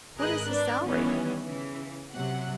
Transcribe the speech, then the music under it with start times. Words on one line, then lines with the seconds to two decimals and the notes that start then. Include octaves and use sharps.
"What is his salary?"
0.17 G#1 G#4 A#4 B4 D#5 F#6
0.47 D4 B4 D5
0.86 D#3 E3 G3 B3 C#4
1.45 C#3 E3
2.13 C3 F#3 F#5